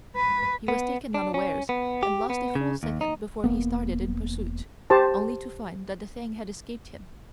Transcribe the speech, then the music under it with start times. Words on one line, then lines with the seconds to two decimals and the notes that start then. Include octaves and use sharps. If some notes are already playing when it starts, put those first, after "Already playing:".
He was taken unawares, and lost a full second before he started in pursuit, only to find that the thing had escaped him.
0.16 B4
0.68 B3
1.14 D4
1.34 C#4
1.69 B3
2.03 G4
2.30 B3
2.55 C#3
2.83 D#2
3.01 D#4
3.44 E1 A#3 B3
4.90 G4 C5 A5